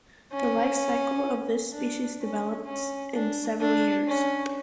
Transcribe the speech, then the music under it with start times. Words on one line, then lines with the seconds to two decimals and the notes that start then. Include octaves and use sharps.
The life cycle of this species develops in several years.
0.33 C#4
1.72 D4
2.20 C#4
2.66 C#4
3.13 D4
3.60 D4
4.08 C#4